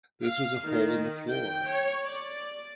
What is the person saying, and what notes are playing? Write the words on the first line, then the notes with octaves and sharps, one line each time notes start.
this was a hole in the floor.
F5
D#3
G5
C#5
D5